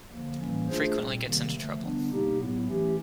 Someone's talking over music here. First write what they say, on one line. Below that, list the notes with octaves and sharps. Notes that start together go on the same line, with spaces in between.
Frequently gets into trouble.
D3 F3 A#3
A2 E3 G3 A#3 C#4
A3 D4 F4 G#4 C5
A#2 G3 C4
C3 D#3 G3 A#3
D3 F3 A3
D3 G3 B3 D4
B2 G3 A#3 D#4 G4
A2 F#3 B3 E4
E3 A3 C#4 E4 G4